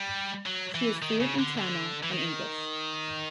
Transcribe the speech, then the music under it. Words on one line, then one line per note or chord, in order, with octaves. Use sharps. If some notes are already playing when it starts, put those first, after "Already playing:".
She is fluent in Tamil and English.
Already playing: G3
F#3
E3
D#3
C#3
D3
D3
E3
D#3